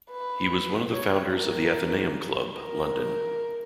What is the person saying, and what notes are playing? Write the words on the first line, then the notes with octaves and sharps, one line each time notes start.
He was one of the founders of the Athenaeum Club, London.
B4
C#5
A#4
A#4